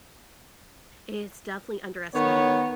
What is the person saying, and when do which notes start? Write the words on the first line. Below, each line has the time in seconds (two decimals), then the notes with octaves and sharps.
It's definitely underestimating it.
2.13 D#3 B3 C#5